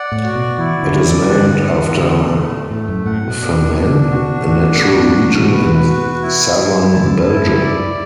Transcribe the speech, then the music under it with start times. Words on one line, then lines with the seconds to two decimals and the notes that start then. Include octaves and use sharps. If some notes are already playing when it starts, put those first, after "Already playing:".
It is named after Famenne, a natural region in southern Belgium.
Already playing: D5 F#5
0.12 A2
0.24 F#4
0.35 B2
0.58 E3 E4
0.83 D3
0.94 D5
1.06 E3
1.29 D3 F#5
1.65 F#5
1.99 D3 A3
2.35 A3
2.70 A2 A3
2.88 F#2
3.05 A2 F#5
3.22 B2
3.41 D4
3.76 D4
4.11 B2 F#4
4.46 A2 D4
4.64 A2
4.81 B2 F#4
4.99 A2
5.16 F#2 F#4
5.35 B2
5.52 B4
5.87 F#4
6.22 E4
6.58 E4
6.93 F#2 A5
7.28 E4
7.63 D5